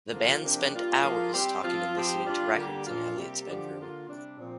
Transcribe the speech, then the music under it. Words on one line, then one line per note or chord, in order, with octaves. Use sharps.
The band spent hours talking and listening to records in Elliott's bedroom.
D3 F3 A#3 F4
C3 F3 A#3 D4 G4
G3 A#3 F4
F3 A#3 F4
G3 C4 G4
F3 C4 F4
F3 C4 G4
G3 D4 F4
D3 G3 A#3 G4
A#2 F3 D4 F4
C3 G3 A#3 G4
D3 F3 D4 G4
D3 A#3 F4
C3 G3 D4
A#2 F3 C4